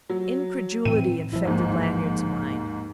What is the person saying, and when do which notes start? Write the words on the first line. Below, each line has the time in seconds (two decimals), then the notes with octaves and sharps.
Incredulity infected Lanyard's mind.
0.09 F#3
0.85 A2 E3 C4 D#7
1.32 A1 F3 E4
1.45 D#2 G#2